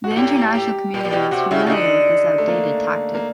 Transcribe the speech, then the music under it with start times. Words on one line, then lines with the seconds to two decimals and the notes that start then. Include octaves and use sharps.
The international community is familiar with this outdated tactic.
0.04 F#4
0.11 A#2
0.16 A2 G4
0.55 G4
0.94 A#2 G4
1.05 A#2
1.13 B2 G4
1.31 C3 F#4
1.51 C#3 E4
1.67 C#3
1.70 D3 D#4
2.38 A3
2.48 A#3
3.15 A#3